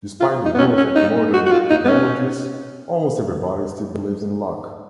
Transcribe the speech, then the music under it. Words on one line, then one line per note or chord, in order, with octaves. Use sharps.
Despite the growth of modern technologies, almost everybody still believes in luck.
F4
D#4
B3
C#4
C#4
D#4
F#4
F#4
F4
D#4
B3
C#4